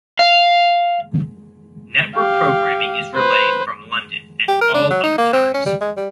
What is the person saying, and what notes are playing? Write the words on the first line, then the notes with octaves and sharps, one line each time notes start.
Network programming is relayed from London at all other times.
F5
G4 F5
B4 C5
G4
A#4
D4
F#3
D#4
A#3
C4
C#4
G3
G#3
G3